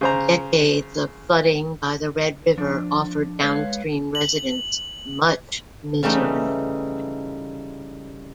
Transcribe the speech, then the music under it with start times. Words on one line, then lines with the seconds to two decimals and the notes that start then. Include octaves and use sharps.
Decades of flooding by the Red River offered downstream residents much misery.
0.01 C#3 C5 A#5
2.58 F3 D4
3.41 G#3 B4 C#5 F5
4.15 F#7
6.03 C#3 E3 G3 A3 D#4